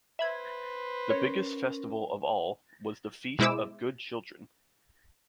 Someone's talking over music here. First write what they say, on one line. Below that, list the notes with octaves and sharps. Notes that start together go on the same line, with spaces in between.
The biggest festival of all was the Feast of Good Children.
B4 C5 E5 B5 G#6
C#4 A#4 C#5
B2 G#3 E4 C5 D6 E6